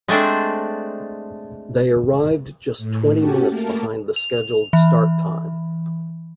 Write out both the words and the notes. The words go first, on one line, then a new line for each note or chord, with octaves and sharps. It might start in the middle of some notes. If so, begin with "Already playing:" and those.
They arrived just twenty minutes behind the scheduled start time.
G#3 A3 C4 D4 C5
A2
C#4 F#4 G4 A5
A3 A#3 A#4 A5
F7
E3